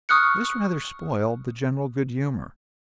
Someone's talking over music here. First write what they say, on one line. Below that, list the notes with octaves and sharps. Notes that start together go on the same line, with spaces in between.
This rather spoiled the general good humor.
C#6 D#6 F6 F#6 C#7